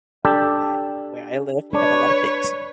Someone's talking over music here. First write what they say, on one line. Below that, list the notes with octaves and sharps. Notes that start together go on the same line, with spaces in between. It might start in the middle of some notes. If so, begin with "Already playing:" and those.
So I where I live, we have a lot of pigs.
D4 G4 A4
D4 B4 C#5